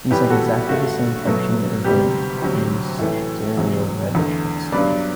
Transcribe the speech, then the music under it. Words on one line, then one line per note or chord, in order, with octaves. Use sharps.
These have exactly the same function as the ministerial red boxes.
A2 E3 G3 B3 G4 B4
F#4 A4
G2 D3 A3 F#4
B2 F#3 A3
D2 C3 G3 B3 G4
D2 C3 F#3
A2 E3 A3
E2 C3 F#3
E2 D3 A3
G2 F#3 B3 B4 D5